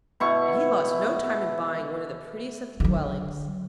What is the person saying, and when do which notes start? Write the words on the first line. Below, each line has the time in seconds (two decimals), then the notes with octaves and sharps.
And he lost no time in buying one of the prettiest of the dwellings.
0.20 B2 E4 C#6
2.80 D3 F#3